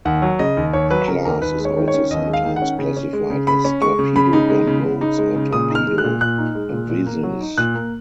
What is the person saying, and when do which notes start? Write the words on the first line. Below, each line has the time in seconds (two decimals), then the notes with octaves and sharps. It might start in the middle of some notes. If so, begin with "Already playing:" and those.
The class is also sometimes classified as torpedo gunboats or torpedo avisos.
0.05 D#2 F#5
0.22 F#3
0.39 C#3 D#5
0.57 D#2
0.73 D#2 C#5
0.91 F#3 B4
1.08 C#3 A#4
1.25 D#2 A#4
1.42 D#2 B4
1.59 G#3
1.65 C#5
1.76 D#3
1.88 C#5
1.94 C#4
2.10 D#2 D#5
2.27 G#3
2.33 F5
2.45 D#3
2.56 F#5
2.62 C#4
2.79 C#3
2.97 C#4
3.13 G#3
3.30 C#3
3.47 C#3 B5
3.65 C#4
3.81 G#3 C#6
3.99 C#3
4.16 C#3 B5
4.33 D#4
4.50 G#3
4.67 C#3
4.84 C#3
5.01 D#4
5.18 G#3
5.36 C#3
5.53 A#2 D#6
5.70 D#4
5.75 F6
5.87 G#3
5.98 F#6
6.04 A#2
6.21 A#2 F#6
6.38 D#4
6.55 G#3
6.72 A#2
6.89 A#2
7.06 A#3
7.23 F#3
7.41 D#4
7.58 A#2 F#6
7.75 A#3